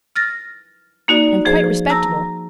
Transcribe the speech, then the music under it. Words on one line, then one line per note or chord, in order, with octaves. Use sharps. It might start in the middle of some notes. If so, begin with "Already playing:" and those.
"I am quite respectable."
F6 A6 A#6
A#3 D#4 F#4 D5
F3 G#4 C5
A5 A#5 E6 A#6